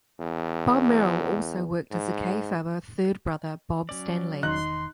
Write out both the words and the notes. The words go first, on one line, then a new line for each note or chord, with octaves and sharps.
Bob Merrill also worked as a kayfabe third brother, Bob Stanlee.
E2
G#2
F#3 C#4 D5
E1 D#3 D#4 C6 F#6